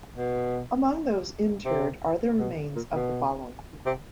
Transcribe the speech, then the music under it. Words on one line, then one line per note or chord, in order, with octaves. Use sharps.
Among those interred are the remains of the following people.
B2
C3
B2
A#2
B2
C3